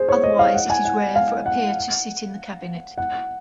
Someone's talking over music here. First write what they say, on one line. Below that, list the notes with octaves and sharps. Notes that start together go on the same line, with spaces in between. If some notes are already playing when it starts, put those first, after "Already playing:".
Otherwise it is rare for a peer to sit in the Cabinet.
Already playing: G#4 C5
C#5
D#5
F5
F#5
G#5
F#5
F5
F#5
F#5